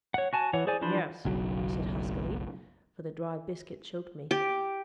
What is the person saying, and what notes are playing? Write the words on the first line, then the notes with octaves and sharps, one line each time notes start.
"Yes," I said huskily, for the dry biscuit choked me.
C#5 F#5
F#4 G#5 A5
E3 C#5 F#5
G#4 C5 D5 G#5
E3 F3 D4 C5 B5
F#1 B1 F#3
G4